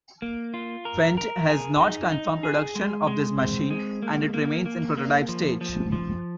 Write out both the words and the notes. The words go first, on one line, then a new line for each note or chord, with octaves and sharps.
Fendt has not confirmed production of this machine, and it remains in prototype stage.
A#3
F4
A#4
A#4
G#4
D#4
D#4
G#4
G#3
G#3
C4
G#3
A#3
A#3
A#3
A#3
F3
F3
F3